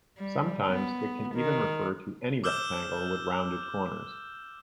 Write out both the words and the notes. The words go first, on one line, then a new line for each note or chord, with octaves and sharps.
Sometimes, it can even refer to any rectangle with rounded corners.
G3
B3
D#3
D6 E6 F6 G6 E7 G7